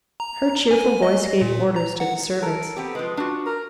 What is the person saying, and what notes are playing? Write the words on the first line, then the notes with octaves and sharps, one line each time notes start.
Her cheerful voice gave orders to the servants.
A#5
G#5
D#5
A#2
A#5
F#5
A4 A#4
B3 C4 G4
F3 G#3 B4
D4 F4 F#4
A#4